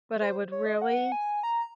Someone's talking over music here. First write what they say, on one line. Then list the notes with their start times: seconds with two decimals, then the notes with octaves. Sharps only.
but I would really
0.21 C5
0.52 C#5
0.66 D#5
0.82 F#5
1.12 G#5
1.43 A#5